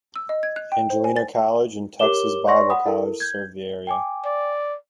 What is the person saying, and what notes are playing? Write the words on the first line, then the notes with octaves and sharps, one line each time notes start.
Angelina College and Texas Bible College serve the area.
E6
D#5
G#6
F#6
G5
C5
G#5
A6
G4 A#4 C#5 D6 E7 G7
C#5 D5 C6 C#6 A#6
F#5 B5 D#6
E4 A4 A#4
G6 G#6
G5 G#5 D6
D5